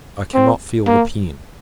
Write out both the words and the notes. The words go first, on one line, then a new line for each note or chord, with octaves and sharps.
I cannot feel the pen.
C4
A#3